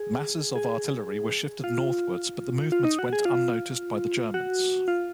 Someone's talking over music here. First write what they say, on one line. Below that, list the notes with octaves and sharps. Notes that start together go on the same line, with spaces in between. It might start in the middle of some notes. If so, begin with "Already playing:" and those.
Masses of artillery were shifted northwards, but the movements went unnoticed by the Germans.
Already playing: G#4
G#4
F4
F4
D#4
F#4
G#4
F4
F#4
F4